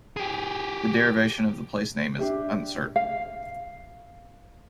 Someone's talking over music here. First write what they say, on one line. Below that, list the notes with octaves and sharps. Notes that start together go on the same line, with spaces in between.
The derivation of the place name is uncertain.
G4 G#4
D4 D#4 G4 E5
F5